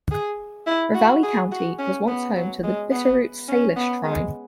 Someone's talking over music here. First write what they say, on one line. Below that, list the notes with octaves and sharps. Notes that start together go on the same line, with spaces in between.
Ravalli County was once home to the Bitterroot Salish tribe.
G#4
E4
F#4
G#4
F#4
C#4
B3
F#3
G#3
B3
C#4
B3
G#3